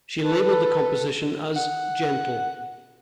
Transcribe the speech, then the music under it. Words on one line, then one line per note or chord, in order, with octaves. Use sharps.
She labelled the composition as "gentle".
A4 B4
F#5